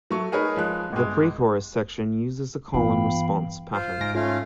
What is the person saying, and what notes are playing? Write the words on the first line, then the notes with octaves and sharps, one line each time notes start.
The pre-chorus section uses a call and response pattern.
F#3 A3 C#6
D#4 G#4 A#4 B4 C#5
F3 G#3 F#6
G1 G#3
G2 E3 B3 F4 F5 G5 B5
F4 C5
G#2 A#6 D7
A3 C#4 F4 F5